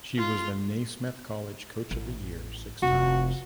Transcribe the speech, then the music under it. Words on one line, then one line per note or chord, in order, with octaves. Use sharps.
She was the Naismith College Coach of the Year six times.
F4
A1
F1 F#4